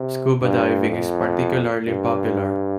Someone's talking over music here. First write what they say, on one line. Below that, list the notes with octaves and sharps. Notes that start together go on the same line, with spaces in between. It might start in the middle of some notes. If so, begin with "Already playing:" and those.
Scuba diving is particularly popular.
Already playing: C3
G2
F2
G2